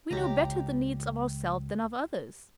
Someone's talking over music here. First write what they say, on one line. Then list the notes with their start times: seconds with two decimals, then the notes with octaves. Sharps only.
We know better the needs of ourselves than of others.
0.11 C#2 G4 A#5